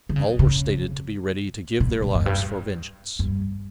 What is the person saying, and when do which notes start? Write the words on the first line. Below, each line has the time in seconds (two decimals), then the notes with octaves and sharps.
All were stated to be ready to give their lives for vengeance.
0.09 D3
0.16 C#3
0.39 C#3
1.80 B2
2.02 A2
2.15 F#2
2.26 G2
3.19 G2